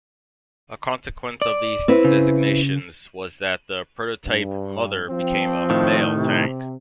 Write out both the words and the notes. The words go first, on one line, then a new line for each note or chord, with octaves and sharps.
A consequence of these designations was that the prototype "Mother" became a "male" tank.
D5
C4 E4 B4
C#3
G2
F3 C4
A2 D#3
C3